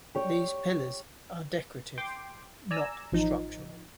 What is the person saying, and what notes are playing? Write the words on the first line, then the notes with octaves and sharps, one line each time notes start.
These pillars are decorative, not structural.
G4 C#5
G5 C6 D6
D5 G#5 A#5 E6
A1 F3 D#4